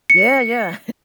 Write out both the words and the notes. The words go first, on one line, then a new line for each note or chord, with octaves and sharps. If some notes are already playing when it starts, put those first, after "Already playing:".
Yeah, yeah.
C#7